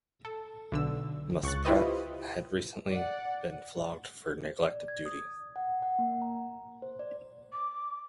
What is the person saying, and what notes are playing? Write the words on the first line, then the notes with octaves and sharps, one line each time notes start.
Muspratt had recently been flogged for neglect of duty.
A4
B1 D3 E6
C#2 C#6 F#6 A6
E4 F4 G4 B4 C5 D#5
D5 F#5
D5
G#6
D#6
F#5
F#5
A#3
A#5
C5
D5
D6